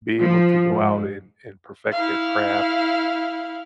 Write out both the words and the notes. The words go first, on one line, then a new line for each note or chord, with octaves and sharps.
be able to go out, and and perfect their craft,
F3
G#2
E4 F5